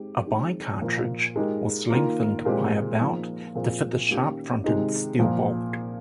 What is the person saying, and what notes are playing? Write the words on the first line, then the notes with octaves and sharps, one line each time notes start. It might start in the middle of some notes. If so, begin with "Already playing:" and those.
A by cartridge was lengthened by about to fit the sharp-fronted steel bolt.
Already playing: G#3 C4 D#4 G4
D#3 G#3 C4
A#2 F3 A#3
G#3 D#4 G4 A#4
D#3 A#3 F4 A#4
A#2 G#3 C4 G4
F3 A#3 D#4 G#4
A#2 F3 C4 F4 G#4
D#3 A#3 C#4 G4
C3 D#3 G#3 D#4
A#2 F3 A#3